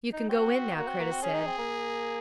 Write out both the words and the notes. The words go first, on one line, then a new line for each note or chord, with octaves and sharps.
"You can go in now," Kreta said.
D#4
C4 F#4
A#3 F#4
C4
A#3
C4
C#4 G#4
D#4
C4
A#3